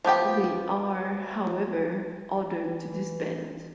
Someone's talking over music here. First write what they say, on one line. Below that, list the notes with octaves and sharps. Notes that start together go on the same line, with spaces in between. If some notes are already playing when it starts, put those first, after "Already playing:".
They are, however, ordered to disband.
F3 B3 G4 G5
E3